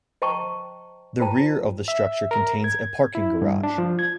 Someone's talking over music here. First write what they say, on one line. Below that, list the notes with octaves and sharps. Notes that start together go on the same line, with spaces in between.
The rear of the structure contains a parking garage.
C5 D#5 G5 A5 A#5 C#6
F4 C5 G5 A5 A#5
E5
A#4
G#6
E4
G2
D4
F3
G#6